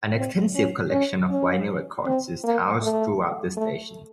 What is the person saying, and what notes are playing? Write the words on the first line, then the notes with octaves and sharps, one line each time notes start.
An extensive collection of vinyl records is housed throughout the station.
C4
C#4
C#4
C#4
C4
A#3
A3
A3